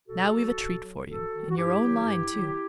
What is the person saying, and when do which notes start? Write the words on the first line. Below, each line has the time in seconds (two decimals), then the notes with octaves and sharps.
Now we've a treat for you, in your own line, too.
0.08 B2 F#4 A4
0.33 F#3
0.58 B2
0.83 F#3
1.07 G2 F#4 A4
1.32 D#3
1.37 F#3
1.50 F#4
1.57 G2 E4 G4
1.81 D#3 F#3
2.06 G2
2.31 D#3 F#3